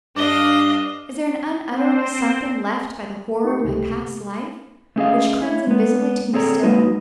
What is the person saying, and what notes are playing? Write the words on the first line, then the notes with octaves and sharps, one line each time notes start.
Is there an unutterable Something left by the horror of my past life, which clings invisibly to me still?
G2 D4 D5 D#5 F5 D6 G7
C4 C5
D#4 G4 A#4 C#6
C#2 C3 A3 G4
A3 B3 C#4 G#4 D#5 F5
E4 C#5
G#3 B3
C4 G#4 A4 C#5 D5 A#5
F#3 G#3 A#3 D#4 F#4 B4